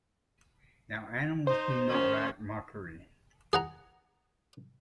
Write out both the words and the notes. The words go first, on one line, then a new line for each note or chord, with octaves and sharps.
Now animals do not like mockery.
D#4 C5
D#3 C#4
G#4 F#5 A#5